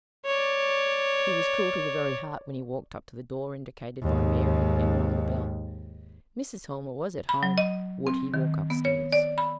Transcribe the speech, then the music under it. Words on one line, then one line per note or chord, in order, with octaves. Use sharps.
He was cool to the very heart when he walked up to the door indicated by Mary, and rung the bell: Mrs. Helmer was at home: would he walk up stairs?
C#5 D5
D#2 G#2
B5
F#3
D#5
C4
D#3
B3
C#5
D5
B5